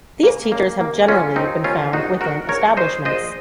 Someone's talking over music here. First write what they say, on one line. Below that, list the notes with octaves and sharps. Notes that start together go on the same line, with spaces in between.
These teachers have generally been found within establishments.
C#3 A#3
C#3 A#3
D#2 A#3
C#3 C#4 F4
D#2 C4 D#4
D#2 C#4 F4
A#1 D#4 F#4
A#2 F#4 A#4
A#1 A#4 C#5
A#2 C5 D#5
A#1 C5 D#5